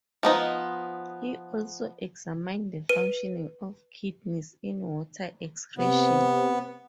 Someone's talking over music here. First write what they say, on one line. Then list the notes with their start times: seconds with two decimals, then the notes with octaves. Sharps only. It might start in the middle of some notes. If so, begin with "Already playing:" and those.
He also examined the functioning of kidneys in water excretion.
0.23 F3 B3 D#4
2.89 B4 D#7
5.78 C3 B3